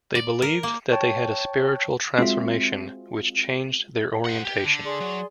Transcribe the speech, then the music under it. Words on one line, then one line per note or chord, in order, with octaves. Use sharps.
They believed that they had a spiritual transformation which changed their orientation.
D5
A#4
A#3
C#5 G5 A5 C#6
G#3 C4 F4 F#4 E5
C5 F#5
G4
D3
G#4 D5 C6
F#3